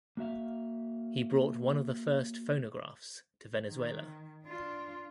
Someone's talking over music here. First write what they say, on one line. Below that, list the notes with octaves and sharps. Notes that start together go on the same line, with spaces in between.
He brought one of the first phonographs to Venezuela.
A#3 F#4 E5 F5
D#3
D4 F4